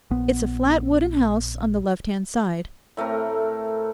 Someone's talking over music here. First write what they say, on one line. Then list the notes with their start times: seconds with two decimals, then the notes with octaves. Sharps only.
'It's a flat wooden house, on the left-hand side.
0.11 A#1 B3
2.97 A2 A3 C4 A#4